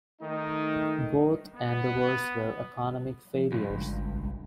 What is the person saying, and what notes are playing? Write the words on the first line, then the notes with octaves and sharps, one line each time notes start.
Both endeavours were economic failures.
D#3 A3 D#4
B3
F3
C#2 G2
G#1
B1